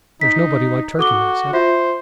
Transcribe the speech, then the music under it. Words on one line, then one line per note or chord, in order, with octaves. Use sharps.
"There's nobody like Turkey," I said.
D#4 B6
F#4 A4 D6 G7
F4 C5 E5